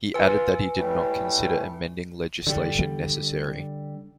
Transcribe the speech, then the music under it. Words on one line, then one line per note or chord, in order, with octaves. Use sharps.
He added that he did not consider amending legislation necessary.
F4 B4 G#5
A2 G3 A3
D3 G3